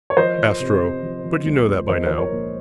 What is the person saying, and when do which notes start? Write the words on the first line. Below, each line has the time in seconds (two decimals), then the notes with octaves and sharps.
"Astro, but you know that by now."
0.10 C#5
0.17 F3 C5 D#5
0.38 F3
0.60 C3
0.82 C3
1.03 F3
1.24 F3
1.46 C#2
1.68 C#2
1.89 F3 C5 D#5
2.07 F3 C5
2.18 A#4 C#5
2.32 A#1